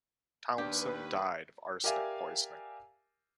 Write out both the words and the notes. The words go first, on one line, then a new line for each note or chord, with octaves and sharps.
Townsend died of arsenic poisoning.
D#2 D4 G4 B4
G4 A#4 D5 E5 F5 G#5